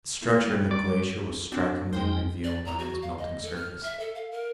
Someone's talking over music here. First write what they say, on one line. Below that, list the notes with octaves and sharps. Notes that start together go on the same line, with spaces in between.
The structure of the glacier was strikingly revealed on its melting surface.
A3 A#3 E4
G3
D6
C4 D4 F#4
F2 G#3 D#4 C5 G5
D5
A#5
F#4
F5
D#5
A4
F6
E5
A4
F5
A#4